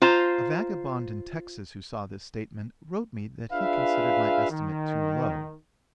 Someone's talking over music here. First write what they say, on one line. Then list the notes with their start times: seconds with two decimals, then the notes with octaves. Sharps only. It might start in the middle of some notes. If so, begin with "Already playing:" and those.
A vagabond in Texas who saw this statement wrote me that he considered my estimate too low.
0.02 F4 C5 A#5
3.52 D4 F4 G#4 B4 E5 F5
4.51 D#3